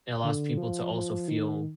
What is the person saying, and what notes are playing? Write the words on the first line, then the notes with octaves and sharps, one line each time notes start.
it allows people to also feel
D3
F3
F3
D#3